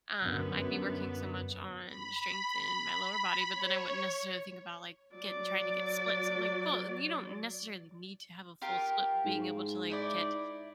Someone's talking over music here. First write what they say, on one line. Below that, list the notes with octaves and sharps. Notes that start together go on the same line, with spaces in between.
um, I'd be working so much on strength in my lower body, but then I wouldn't necessarily think about, like, getting trying to get splits. I'm, like, "Well, you don't necessarily need to have a full split, being able to, like, get
F#2 D3 B3
B5
C#5
F#3 D5
F4 G4 A#4
G#2
D#4 E4 D5